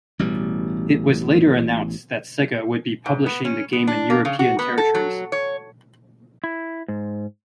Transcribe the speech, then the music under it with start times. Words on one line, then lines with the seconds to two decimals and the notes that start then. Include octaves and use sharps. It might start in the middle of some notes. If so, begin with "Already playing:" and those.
It was later announced that Sega would be publishing the game in European territories.
0.19 A1 B2 G3
3.06 G#2
3.26 B3
3.45 C#4
3.73 B3
3.87 D4
4.10 A#3
4.25 C#3
4.39 F#4
4.59 B3
4.78 A4
4.95 F#3
5.32 C#5
6.44 E4
6.88 G#2